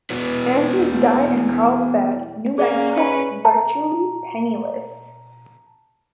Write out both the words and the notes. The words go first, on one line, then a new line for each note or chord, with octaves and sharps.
Andrews died in Carlsbad, New Mexico virtually penniless.
B3 E4 F#4 B4
A#3 C#4 G#4 D5 E5
C#4 B4
A5 A#5